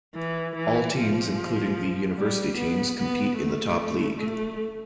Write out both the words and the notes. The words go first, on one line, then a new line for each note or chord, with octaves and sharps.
All teams including the University teams compete in the Top League.
E3
E3
F3
G3
B3
B3
A3
A3